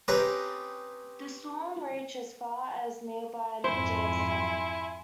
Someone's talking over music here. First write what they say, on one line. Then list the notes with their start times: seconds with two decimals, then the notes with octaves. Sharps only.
The storm reached as far as nearby Jamestown.
0.08 C4 C#4 D#4 G4 B4 A#5
3.64 F2 G#2 E4 C5 E5 G#5 C6